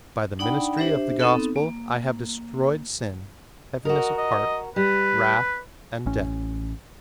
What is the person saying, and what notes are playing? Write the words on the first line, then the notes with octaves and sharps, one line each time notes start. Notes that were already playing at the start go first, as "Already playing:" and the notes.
By the ministry of the Gospel I have destroyed sin, heaviness of heart, wrath, and death.
D4 D#4 D5 F#5 G5 B5
D4 G4 C5 E5
B3 C4 D#4 A4
A#3
F#4 A#4 D#5
D#5
G3 B4
A1 A2 C#4